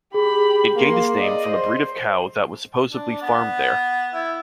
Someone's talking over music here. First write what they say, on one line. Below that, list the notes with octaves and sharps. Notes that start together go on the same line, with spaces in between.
It gained its name from a breed of cow that was supposedly farmed there.
G4 G#4 B5
A#3 C6
D5 D#5
C5
D4
B3
E4